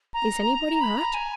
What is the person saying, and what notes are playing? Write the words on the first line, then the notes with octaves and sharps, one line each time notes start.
"Is anybody hurt?"
A#5
B5
A#5
G#5